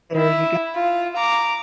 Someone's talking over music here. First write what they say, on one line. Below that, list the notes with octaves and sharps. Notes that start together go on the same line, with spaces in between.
There you go
E4
F4
A#5 D6